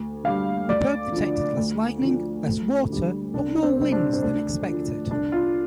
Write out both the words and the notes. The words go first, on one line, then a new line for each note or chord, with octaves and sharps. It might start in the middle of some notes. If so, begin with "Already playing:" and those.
The probe detected less lightning, less water, but more winds than expected.
Already playing: D2
D3 G3 F5
D2 D5
D3 F3
D2
D3 F3
D2
D3 G3
C2 D4
C4
C3 G3 C4
D4
C4
D2 D4
D3 F3
C2 D4
F4